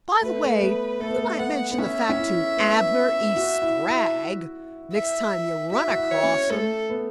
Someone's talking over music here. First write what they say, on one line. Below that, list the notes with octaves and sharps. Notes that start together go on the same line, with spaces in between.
"By the way, you might mention the fact to Abner E. Spragg next time you run across him."
A3 B4
A3
B3
A3 A4
B3
A3
B3 F#5
B3
C#4 E5
C#4
E4
B3
F#4
E4
E4
E5
F#4 E5
F#4
E4
C#5
C#4
A3 A4
B3